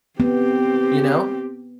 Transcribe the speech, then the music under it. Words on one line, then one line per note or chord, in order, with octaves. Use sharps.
You know?
B3 C4 G4